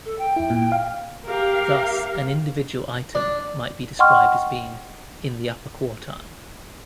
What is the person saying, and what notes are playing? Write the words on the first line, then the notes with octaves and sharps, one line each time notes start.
Thus an individual item might be described as being "in the upper quartile".
A4
G5
F2 E4
A#2
F5
G4 A#4 F5
D4
D#5 F#5 G5 C6 C#6 F6